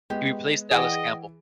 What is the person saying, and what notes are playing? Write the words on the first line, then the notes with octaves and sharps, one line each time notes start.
He replaced Dallas Campbell.
G#3 B3 G4
E3 G#4 D5 D#5 F#5 G5 D7